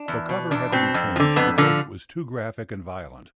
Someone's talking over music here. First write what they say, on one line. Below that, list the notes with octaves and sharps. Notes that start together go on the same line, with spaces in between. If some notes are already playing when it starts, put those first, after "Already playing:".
The cover had to be changed because it was too graphic and violent.
Already playing: D4
E2
B2
E2 D4
B2 C4
F2
F3
D3
F2 B3
D3 F3